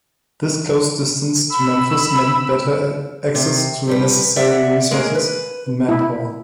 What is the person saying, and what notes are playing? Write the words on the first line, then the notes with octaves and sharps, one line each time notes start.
This close distance to Memphis meant better access to necessary resources and manpower.
B5 E6
C3
F3 G3 B4
D5 E5 F#5
G#3 A#3 G#4 A#4
B4
E4